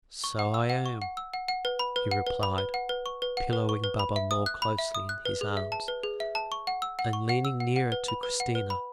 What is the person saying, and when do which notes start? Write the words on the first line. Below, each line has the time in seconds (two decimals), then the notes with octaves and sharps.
"So I am," he replied, pillowing Baba more closely in his arms, and leaning nearer to Christina.
0.24 C#6
0.39 F#5
0.54 E6
0.70 F#5
0.86 C#6
1.02 F#5
1.17 E6
1.34 F#5
1.48 F#5
1.65 B4
1.79 B5
1.96 B4
2.11 F#5
2.27 B4
2.43 B5
2.58 B4
2.74 F#5
2.89 B4
3.06 C#6
3.22 B4
3.37 F#5
3.53 B4
3.69 C#6
3.84 B4
3.99 B5
4.16 E5
4.31 D#6
4.46 F#6
4.62 B5
4.79 E5
4.95 D#6
5.09 F#6
5.25 B4
5.41 G#4
5.57 E5
5.72 A5
5.88 B4
6.03 G#4
6.20 E5
6.35 A5
6.52 C#6
6.67 F#5
6.82 E6
6.99 F#5
7.13 C#6
7.29 F#5
7.45 E6
7.60 F#5
7.76 F#5
7.92 B4
8.08 B5
8.23 B4
8.40 F#5
8.55 B4
8.70 B5